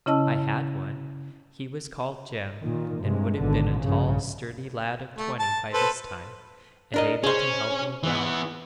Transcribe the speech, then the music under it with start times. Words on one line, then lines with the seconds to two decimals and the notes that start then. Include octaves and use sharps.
'I had one: he was called Jem, and would have been a tall sturdy lad of twenty by this time, and able to help me well.
0.06 C#3 C#4 E4 D#5 A5 E6
2.60 A#2 D#3
2.99 G2 C3 G#3
3.39 G#1 B2 D3
3.80 A#1 G2 C#3
5.18 A3
5.39 A5
5.74 A4 B4 C5
6.94 D4 A#4 D#5
7.24 C#4 G#4 C5
8.03 E3 B3